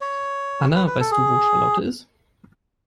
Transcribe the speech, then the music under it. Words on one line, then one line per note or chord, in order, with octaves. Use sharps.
Anna, weißt du wo Charlotte ist?
C#5
B4
B4
A4
G#4